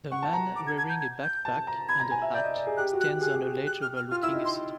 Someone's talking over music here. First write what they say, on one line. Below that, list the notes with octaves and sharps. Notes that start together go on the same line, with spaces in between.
The man wearing a backpack and a hat, stands on a ledge overlooking a city.
F#5 C#6
A5
A#5
D6
G#6
G#6
G6
G#6
G6
A5
A#5
B5 G#6
A#5
G#5
E5
D5 G6
D#5
D5
G#4
G4 F#6
F#4
F#6
G4
G#4 F#6
G4
F#6
F6
F6
F4 F6
E4 E6
D#4
C6